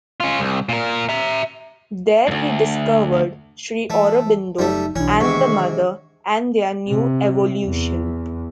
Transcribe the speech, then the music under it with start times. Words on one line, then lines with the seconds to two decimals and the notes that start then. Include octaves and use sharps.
There he discovered Sri Aurobindo and The Mother and their "new evolution".
0.20 C#4 F4
0.40 C2
0.69 A#2 A#4
1.09 E5 A#5
2.28 D2 G2
3.90 E3 A3
4.59 F#1 F#3 G3 A3 D#4
4.96 B1 E3 C#4 D4
5.20 G#2 C3 D#3 C#6
6.89 C3
7.65 E2